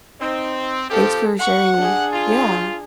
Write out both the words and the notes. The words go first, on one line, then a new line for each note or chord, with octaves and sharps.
thanks for sharing Yeah,
C4 D#4
F3 C4 G4 A4
F#5 C#6
D4 G#4
F4